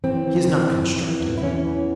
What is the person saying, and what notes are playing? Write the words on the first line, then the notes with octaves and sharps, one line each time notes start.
He is not constructive.
E3 C4
E3
E3
F2
E3
E2
E4
E3 C#4
E2